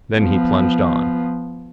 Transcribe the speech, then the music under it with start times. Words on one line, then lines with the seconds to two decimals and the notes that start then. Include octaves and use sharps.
Then he plunged on.
0.17 F3 B3